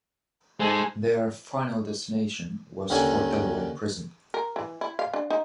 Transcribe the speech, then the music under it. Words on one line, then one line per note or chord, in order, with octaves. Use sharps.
Their final destination was Fort Delaware Prison.
G#3 D#4 A4 C5 G#5
D#2 D3 D#3 C#4 G#5
A#4
E3
E4
F5
D4
D#4